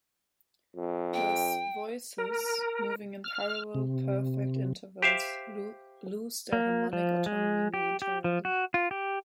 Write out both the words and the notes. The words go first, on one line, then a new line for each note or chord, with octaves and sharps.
Thus voices moving in parallel perfect intervals lose their harmonic autonomy momentarily.
F2
G5
A#4
F6
C3
G4 C5 E5 F5
A#3
F3
G#3
G4
G4
F3
F#4
F4
G4